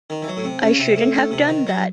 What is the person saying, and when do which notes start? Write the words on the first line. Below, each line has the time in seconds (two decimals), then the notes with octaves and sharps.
I shouldn't have done that!
0.10 D#3
0.22 E3
0.28 F#3
0.37 A2
0.44 C3
0.62 C#3
0.79 C3
0.97 A2
1.13 A2
1.32 C3
1.48 D#3
1.67 F#3